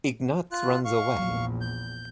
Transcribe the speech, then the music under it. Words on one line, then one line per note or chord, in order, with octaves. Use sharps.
Ignatz runs away.
F4 F#6
F5 C#6
A#1 E2
G6